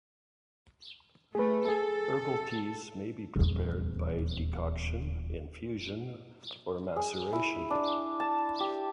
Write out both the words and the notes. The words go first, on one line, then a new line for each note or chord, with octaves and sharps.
Herbal teas may be prepared by decoction, infusion, or maceration.
A3 G#4 B4
G#4 A4
D#1 E2
G#4
E4
D4
A5
G4